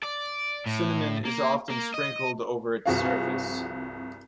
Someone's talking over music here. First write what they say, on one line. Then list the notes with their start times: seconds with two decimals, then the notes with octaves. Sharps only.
Cinnamon is often sprinkled over its surface.
0.03 D5
0.66 A2
1.25 A#3
1.70 A#3
1.94 D#5
2.86 C2 G2 F3 F#4 G#4 F5